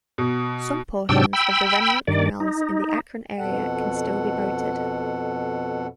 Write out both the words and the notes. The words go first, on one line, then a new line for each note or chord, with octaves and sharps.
Some portions of the remnant canals in the Akron area can still be boated.
B2
G#2 C3 F#3 D4 G5 E6
G5 B5 E6
G2 D#3 D5
D#4
F2 B2 A4 F#5